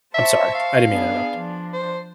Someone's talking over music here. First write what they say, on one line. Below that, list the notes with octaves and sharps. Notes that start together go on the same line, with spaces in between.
I'm sorry, I didn't mean to interrupt.
C5 E5 A5 C#6
F5
B3 D4 G#4
F3 D4
C5